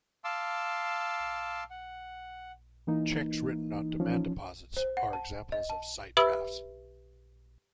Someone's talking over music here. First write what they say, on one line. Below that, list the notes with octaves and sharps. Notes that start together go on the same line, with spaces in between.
Cheques written on demand deposits are examples of sight drafts.
F5 A5 C6 D6 E6
F#5
E3 A#3 D#4
F3 C#4
C5
F#5
A5
D#5
A5
G4 B4 E5 B5 D#6 E6